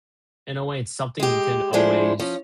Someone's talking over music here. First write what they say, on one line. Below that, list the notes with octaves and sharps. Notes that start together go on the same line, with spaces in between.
in a way, it's something you can always
G#3 G4
F3 G#3 D4 E4 C5
F3 C#4